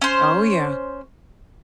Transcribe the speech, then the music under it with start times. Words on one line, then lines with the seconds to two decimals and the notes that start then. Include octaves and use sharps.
Oh, yeah.
0.02 C#4 C5